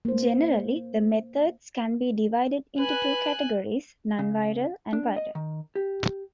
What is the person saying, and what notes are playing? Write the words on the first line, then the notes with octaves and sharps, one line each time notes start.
Generally, the methods can be divided into two categories: non-viral and viral.
A#3 C5
B4 G#5 F#6
C#3
D4
D#5
D#3
G4